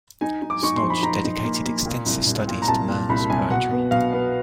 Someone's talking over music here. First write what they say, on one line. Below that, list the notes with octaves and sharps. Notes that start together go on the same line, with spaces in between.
Snoj dedicated extensive studies to Murn's poetry.
D#4 G#5
D#4
D6
D#4 C#6
C6
F3
B5
D#4 A#5
D#4
A#3
A#3
A#2
C2
C2
A#2
A#5
C2 A5
A#2
C2 B5
C2 G#5
B2 F#5
B3
B2 F5
B3